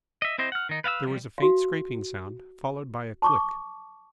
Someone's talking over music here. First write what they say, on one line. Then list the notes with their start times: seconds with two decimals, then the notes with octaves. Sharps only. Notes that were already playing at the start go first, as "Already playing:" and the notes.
There was a faint scraping sound, followed by a click.
0.22 D#5 E5
0.38 C4 E4 C5 D#5
0.52 F#5 F6
0.69 D#3 D#4
0.84 B4 F5 F#5 E6
1.07 F3 G3
1.38 F#4 F5
3.22 A5 C#6 D6